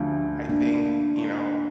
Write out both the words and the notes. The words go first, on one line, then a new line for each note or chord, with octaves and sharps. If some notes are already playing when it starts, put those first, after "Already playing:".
I think, you know,
Already playing: D2 D3 F3
A#3 D4